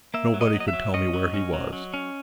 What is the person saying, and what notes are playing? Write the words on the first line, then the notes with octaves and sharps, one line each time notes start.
Nobody could tell me where he was.
A#3 E5
F#3
D#5
F#3
D#5
E5
F#3
C#4 D#5
F#3
C#4
F#3
F#3
C#4